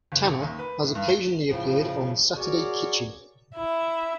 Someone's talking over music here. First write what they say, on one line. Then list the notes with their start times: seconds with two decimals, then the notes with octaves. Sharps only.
Tanner has occasionally appeared on "Saturday Kitchen".
0.12 F#1
0.24 A1
0.42 D#2
0.59 B4
0.82 A2
0.95 G2
1.09 G7
1.49 A2 C#3 F3
2.35 F#4 G#4 A#4 C#5 D5
3.55 E4 E5